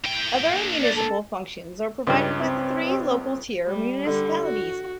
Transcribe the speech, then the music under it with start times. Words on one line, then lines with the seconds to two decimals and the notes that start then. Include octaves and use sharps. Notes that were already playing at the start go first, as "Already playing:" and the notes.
Other municipal functions are provided by the three local-tier municipalities.
0.04 A2 G5
0.54 A#3 D4
0.82 D5
0.95 A4
2.07 C#2 G2 G3
2.40 C4
3.67 G3
4.05 D3 G3
4.41 F#4